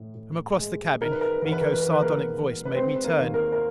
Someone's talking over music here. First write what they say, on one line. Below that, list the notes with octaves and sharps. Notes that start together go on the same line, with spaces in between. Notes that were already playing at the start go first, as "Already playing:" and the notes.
From across the cabin, Miko's sardonic voice made me turn.
Already playing: A2
A2
G#3
D#3 A#4
B4
A#4
B4
E2 A#4
B4
A#4
B4
A#4
E2 B4
A#3 A#4
E2
B4
G#3 C4 C5
B4
A#3 A#4
D#2
A#3 A#4
A#4